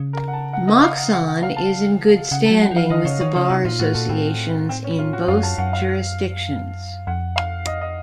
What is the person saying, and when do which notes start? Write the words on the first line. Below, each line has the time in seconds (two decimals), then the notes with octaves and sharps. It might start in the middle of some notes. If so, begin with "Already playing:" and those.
Moxon is in good standing with the bar associations in both jurisdictions.
Already playing: C#3
0.13 A#4
0.28 F#5
0.33 A5
0.53 F#5
0.68 D#5
0.83 F5
0.98 F#5
1.13 F#5
1.28 F#5
1.43 F5
1.57 A5
2.31 C#3 F#5
2.46 A5
2.51 F#3
2.62 F#5
2.71 F3
2.76 F5
2.90 D#3 D#5
3.05 C#3 C#5
3.20 D#3 C#5
3.35 C#3 F4
3.50 C3 D#4
3.65 A#2 F4
3.79 A2 F#4
3.94 A#2 A4
4.09 A2 C4
4.69 C4
4.84 C#4
4.99 F4
5.13 F#4
5.28 F#2 F5
5.43 A5
5.58 F#2 F#5
5.73 F5
7.07 F2 F#5
7.36 F5
7.67 D#5
7.81 D#5